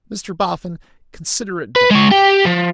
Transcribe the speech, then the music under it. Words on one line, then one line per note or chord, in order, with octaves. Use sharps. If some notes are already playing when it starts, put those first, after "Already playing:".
'Mr Boffin, consider it done.
B4
G#3 C#5
G4 G5
F3